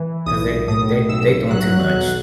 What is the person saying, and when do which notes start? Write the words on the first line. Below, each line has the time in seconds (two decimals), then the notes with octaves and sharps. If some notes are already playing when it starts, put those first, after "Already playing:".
'cause they they they doing too much.
Already playing: E3
0.26 B1 D#6
0.68 A2 D#6
1.09 B1 E6
1.51 F#3 F#6
1.92 B1